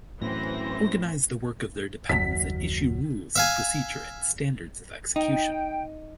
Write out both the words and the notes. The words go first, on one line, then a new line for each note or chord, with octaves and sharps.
Organize the work of their dependents and issue rules of procedure and standards of execution.
F#2 A2 E3 C4 C5 A#6
F#1 D#2 F#3 B6
E5 F5 G#5
D#4 G5